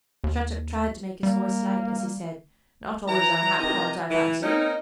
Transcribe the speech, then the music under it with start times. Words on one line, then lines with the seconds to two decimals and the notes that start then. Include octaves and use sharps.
Shattuck tried to make his voice light, as he said: "Not always unhappy ones, I fancy."
0.24 D#2
1.23 G3 A#3
3.08 E3 A#5
3.58 C3 D#3 E3 D#4 D#5 A#5
4.10 E3
4.42 A#3 C4 C#4 D#4